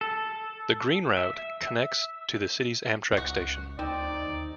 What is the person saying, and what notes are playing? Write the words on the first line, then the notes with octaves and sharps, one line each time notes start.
The Green Route connects to the City's Amtrak station.
A4
E5
C#2 F#4
D2 C4 D#4 D5
D#2